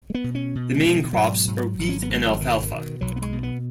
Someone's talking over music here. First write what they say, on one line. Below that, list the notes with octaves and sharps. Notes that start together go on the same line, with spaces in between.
The main crops are wheat and alfalfa.
G#3
B3
B2
C#4
B2
G#3
B2
F#3
D#3
G#2 F#3
G#2
G#1
C#4
B3
G#1 G#3
F#3
B2 D#3
B2
B1 F#3
B3
G#3
B2
B3